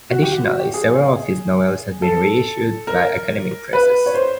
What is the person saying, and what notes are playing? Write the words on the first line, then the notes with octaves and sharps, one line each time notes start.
Additionally, several of his novels have been reissued by academic presses.
F#4
G4
F#4
F#4
G4
G#4
A4
A#4
B4
C#5
C5